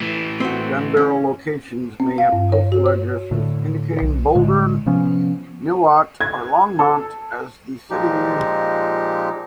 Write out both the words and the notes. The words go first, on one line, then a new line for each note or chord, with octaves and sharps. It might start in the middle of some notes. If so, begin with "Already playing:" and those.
Gunbarrel locations may have postal addresses indicating Boulder, Niwot, or Longmont as the city.
A2 E3
C4 F#4
C#4
C4
F5
G2
C#5
F#4
C#5
A2 D3
B1
A2 D3 G#3
C3 F3 B3 C#4
G#6
A4
A#2 F3 G#3 D#4 G4